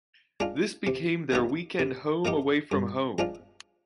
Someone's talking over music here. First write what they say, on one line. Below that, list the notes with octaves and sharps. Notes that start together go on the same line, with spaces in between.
This became their weekend home away from home.
G#3 D4 F4
C3
D#3 A#3 D#4 G4
C3
D#3 A#3 D#4 G4
G2
F3 G#3 D4 F4